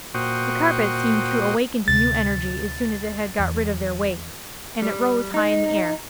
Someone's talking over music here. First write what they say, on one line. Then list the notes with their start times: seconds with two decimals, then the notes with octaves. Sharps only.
The carpet seemed to awaken to new energy as soon as it had got rid of their weight, and it rose high in the air.
0.14 A#2 F#4 C5 G5 C#6 D#6
1.88 D2 C3 A6
3.39 E2
4.82 G3
5.34 D#4